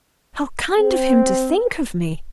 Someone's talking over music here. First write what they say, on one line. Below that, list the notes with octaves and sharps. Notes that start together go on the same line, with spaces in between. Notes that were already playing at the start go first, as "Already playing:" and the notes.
'How kind of him to think of me!
C4